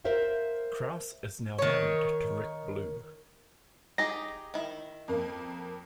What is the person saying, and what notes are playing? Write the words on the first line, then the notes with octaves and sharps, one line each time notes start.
Crouse is now married to Rick Blue.
A#4 C5 E5 F5 G5
D#3 C#5
D#4 G4 G#4 A#6
D#3 E4
F2 A#3